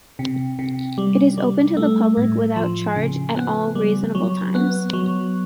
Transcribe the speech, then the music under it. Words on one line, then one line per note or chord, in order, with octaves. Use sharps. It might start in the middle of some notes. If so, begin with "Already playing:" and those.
It is open to the public without charge at all reasonable times.
C3
C3
G3
G3
A3
A2
F3
C#3
B3
G3
F#3
B3
F#3